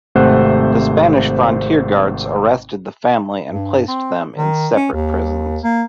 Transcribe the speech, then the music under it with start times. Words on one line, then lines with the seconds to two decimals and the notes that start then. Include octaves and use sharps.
The Spanish frontier guards arrested the family and placed them in separate prisons.
0.15 G#1 C3 A3 C5 F#5 F#6
3.52 G2
3.88 C4
4.37 D#3
4.75 C#4
4.93 D#2
5.64 A#3